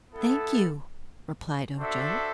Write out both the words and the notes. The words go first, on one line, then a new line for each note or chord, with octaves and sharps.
"Thank you," replied Ojo.
B3 E4 A4
D4 F#4 A4 C5 E5